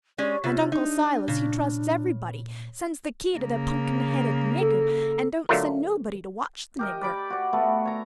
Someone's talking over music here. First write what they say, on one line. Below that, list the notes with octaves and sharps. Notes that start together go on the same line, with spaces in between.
And Uncle Silas he trusts everybody; sends the key to the punkin-headed nigger, and don't send nobody to watch the nigger.
G#3 C#4 G4 C#5 D5
C3 F4
D4 D#4
A#2 C#3
C#3 A#3
A4
D3 F#3 A3 F4 A#4
G4 A#4 D#5
D5 B5 D6
F#4 D5
A3 B3
C#5 A#5